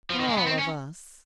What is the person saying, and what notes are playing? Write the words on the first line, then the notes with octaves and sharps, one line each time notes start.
"All of us."
F3
D#3
G#3
B3
C4
C#4